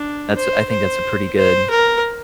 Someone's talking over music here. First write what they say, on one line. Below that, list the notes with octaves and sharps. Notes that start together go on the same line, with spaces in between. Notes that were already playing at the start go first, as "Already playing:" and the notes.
That's I think that's a pretty good
Already playing: D4
C5
C5
C5
A#4